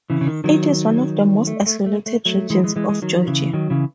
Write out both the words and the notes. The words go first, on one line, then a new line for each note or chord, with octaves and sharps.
It is one of the most isolated regions of Georgia.
C#3 E3
C#3
D#3
D#3 F#3
A3
A3
A3
A3
F#3 A3
E3 G#3
E3 G#3
E3 G#3
E3 G#3
D#3 F#3
C#3 E3
D#3 F#3
C#3 E3